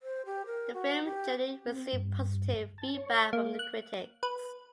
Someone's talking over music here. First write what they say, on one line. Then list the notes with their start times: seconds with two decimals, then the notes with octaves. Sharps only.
The film generally received positive feedback from the critics.
0.03 C5
0.26 G4
0.46 A#4
0.74 F#4
1.05 G4
1.66 C4
1.93 G2
2.78 A5
2.95 C#5
3.33 A#3
3.59 F#6
4.23 B4